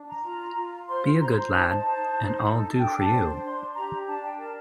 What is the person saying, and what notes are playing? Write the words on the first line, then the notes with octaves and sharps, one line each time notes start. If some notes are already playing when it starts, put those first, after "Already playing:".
Be a good lad; and I’ll do for you.
Already playing: D4
A#5
F4
F4
C5 C6
C5 A#5
C6
A#5
D#4 A5
C5
D#4
A4
A5
D4 G5
A5
C5
D4 C6
G4 A#5
D4 A5
G5
A#4 A5